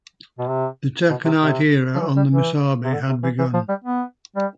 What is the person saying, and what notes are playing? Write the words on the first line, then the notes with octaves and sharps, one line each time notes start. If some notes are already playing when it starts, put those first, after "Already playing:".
The taconite era on the Missabe had begun.
B2
C3
B2
C3
C3
F3
E3
G3
E3
C3
D3
C3
E3
E3
F3
G3
B3
G3